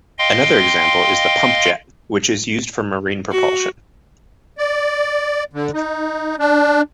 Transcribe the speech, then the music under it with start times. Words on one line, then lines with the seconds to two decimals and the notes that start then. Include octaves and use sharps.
Another example is the pump-jet, which is used for marine propulsion.
0.19 D#5 F5 G5 C6
3.31 F#4
4.58 D5
5.53 D3
5.74 D#4
6.39 D4